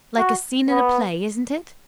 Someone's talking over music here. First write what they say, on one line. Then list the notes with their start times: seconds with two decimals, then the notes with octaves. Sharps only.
"Like a scene in a play, isn't it?"
0.18 F#4
0.70 B3